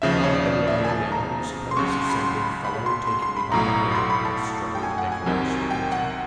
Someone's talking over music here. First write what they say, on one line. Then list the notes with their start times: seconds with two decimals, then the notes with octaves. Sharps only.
Should I have been what I am now, do you suppose, if some big fellow had taken me by the hand when I was struggling to make an artist of myself?
0.02 D#2 C#3 F3 E5
0.13 D#5
0.24 C#5
0.34 D5
0.46 D5
0.68 E5
0.84 G#5
0.89 A5
1.12 A#5
1.71 C6
1.77 C#2 C#3 F#3 C#6
1.88 C6
1.99 C6
2.09 B5
2.21 C6
2.42 B5
2.65 B5
2.86 C6
3.07 C6
3.22 C6
3.37 B5
3.52 B1 A2 F#3 A#5
3.92 B5
3.95 C6
4.10 B5
4.25 A5
4.75 G5
4.83 G#5
4.98 F#5
5.12 G#5
5.26 C2 C3 D#3 F#3
5.71 G5
5.92 F#5